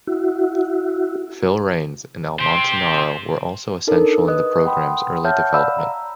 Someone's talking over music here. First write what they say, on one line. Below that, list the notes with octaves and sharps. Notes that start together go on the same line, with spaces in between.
Phil Reines and Al Montanaro were also essential in the program's early development.
E4 F#4
G4 C5 C6
D4 D#4 A4 A#4 C#5
B4 D#5 D#6 F#6
F#5 G5 B5 C6 D#6
C#5 E5 F#5 A5 F6 G6
D5 F5 B5 E6
A#5